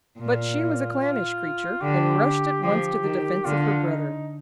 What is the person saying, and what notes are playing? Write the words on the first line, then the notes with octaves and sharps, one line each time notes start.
But she was a clannish creature, and rushed at once to the defence of her brother.
A#2 F4
F4
D3 G4
F3 G4
D#3
D3 F4
D#4